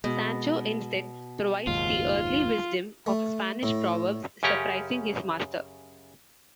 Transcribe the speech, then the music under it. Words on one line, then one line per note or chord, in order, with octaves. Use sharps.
Sancho instead provides the earthly wisdom of Spanish proverbs, surprising his master.
B2 G#3
F#1 D#2 G#2 F4
A3
A2
F#2 C#3 C#4 G4 A#5